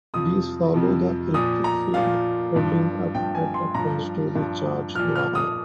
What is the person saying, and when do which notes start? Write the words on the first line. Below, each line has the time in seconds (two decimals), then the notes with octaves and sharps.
These follow the electric field ending up at the positively charged wire.
0.14 F2 C3 F3 D#6
0.74 F2 C3 F3
1.34 A#2 F3 D#6
1.64 A#5
1.94 A#2 F3 F5
2.55 G2 F3
3.15 G2 F3 G5
3.35 G#5
3.54 C6
3.74 G2 F3 A#5
4.35 G2 F3
4.95 A#2 F3 F6
5.16 F6
5.35 D#6